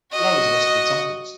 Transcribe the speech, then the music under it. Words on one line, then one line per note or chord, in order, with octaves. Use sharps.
Below is a list of examples.
F#4 D#5